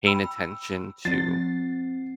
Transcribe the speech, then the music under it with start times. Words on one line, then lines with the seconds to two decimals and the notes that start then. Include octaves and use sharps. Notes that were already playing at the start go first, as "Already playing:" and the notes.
paying attention to
0.06 G5 B5 E6
1.05 F3 C4 A6 C7